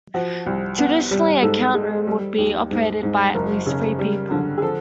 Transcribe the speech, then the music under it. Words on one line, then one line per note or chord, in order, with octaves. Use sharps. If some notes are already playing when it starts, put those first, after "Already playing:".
Traditionally, a count room would be operated by at least three people.
F3 F#4
C2
B3
G3
G#2 A4
G#3
G3
D#2
G#2
G#2
F#1 A#4
C#3
G3
D3
G#4
F3 A4